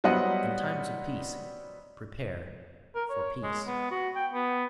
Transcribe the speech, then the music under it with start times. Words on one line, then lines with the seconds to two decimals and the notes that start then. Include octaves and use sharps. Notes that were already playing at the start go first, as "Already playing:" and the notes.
In times of peace prepare for peace.
0.04 F#3 G3 B3 C5 D#5 F#5
2.95 A#4
3.10 C#5
3.43 G#3
3.67 B3
3.91 F#4
4.15 G5
4.33 B3